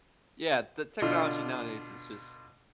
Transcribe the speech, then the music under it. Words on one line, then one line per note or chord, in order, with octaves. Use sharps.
Yeah, the technology, nowadays, is just
B2 D3 D4 F4